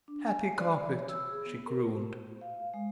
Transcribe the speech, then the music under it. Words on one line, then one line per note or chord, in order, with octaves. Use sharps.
"Happy carpet!" she crooned.
D4
G#5
D5
C#5
E6
G#4
B3
A#4
C5
F5
G#3